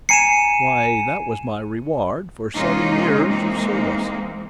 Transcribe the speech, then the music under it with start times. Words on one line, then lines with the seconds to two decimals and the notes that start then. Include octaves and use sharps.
"Why, that was my reward for seven years of service."
0.09 G#5 A#5 C7 C#7 D#7 E7
2.55 C3 G#3 A#3 C#4 D#4 F4
3.25 E3 G#3 A#3 C4 D#4